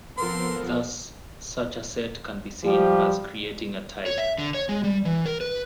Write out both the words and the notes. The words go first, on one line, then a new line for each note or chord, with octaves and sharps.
Thus, such a set can be seen as creating a type.
F3 B3 C4 A4 A#4 C6
F3 G3 G4
C#5
E5
D3
C#5
G#3
G3
E3
A#4
B4